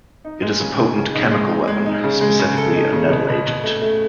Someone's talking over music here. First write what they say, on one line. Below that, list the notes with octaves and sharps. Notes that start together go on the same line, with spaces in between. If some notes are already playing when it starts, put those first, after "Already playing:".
It is a potent chemical weapon, specifically a nettle agent.
D#4
G#3
C#3
D#4
C#3
D#4
G#3
D#4
G#3
D#4
C#3
G#3
C#3
A4
D#4
C#3
B2
B2
B2
A3
A3